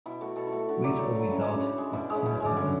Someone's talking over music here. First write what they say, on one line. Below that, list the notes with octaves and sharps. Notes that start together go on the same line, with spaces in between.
With or without accompaniment.
B2 E4
A3 F#4
B2 A4
E4
A3 F#4
D3 F#4
F#3 A3 D5
D3 F#4
F#3 A3 E4
C#3 C#4
C#4
G#3
D4
C#3
G#3
B2 E4
G#3
C#4
B2
E4
G#3
D4
D3 C#4